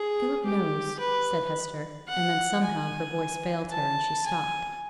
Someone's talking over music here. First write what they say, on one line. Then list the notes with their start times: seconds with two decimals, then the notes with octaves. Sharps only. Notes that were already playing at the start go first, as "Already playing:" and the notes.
'Philip knows,' said Hester, and then, somehow, her voice failed her and she stopped.
Already playing: G#4
0.45 G4
1.00 B4
2.08 F#5
2.63 G#5
3.72 A5
4.26 G#5